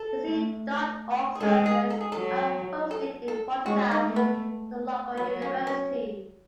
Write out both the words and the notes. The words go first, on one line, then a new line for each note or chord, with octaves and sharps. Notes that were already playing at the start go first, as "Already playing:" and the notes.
The Scene dot org servers are hosted in Rotterdam, at the local university.
Already playing: A4
A3
G#4
G#3 A4
G#4
A4
G#4
F#3 A4
A4
A4
G#3 F#4
D#4
A3
B3
F#3 B3
C#4
C#4